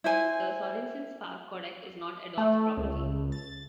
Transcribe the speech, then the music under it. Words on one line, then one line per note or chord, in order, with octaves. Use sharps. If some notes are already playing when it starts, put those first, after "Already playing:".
The Sorenson Spark codec is not Adobe's property.
E4 C5 G#5
A3
C#2
A6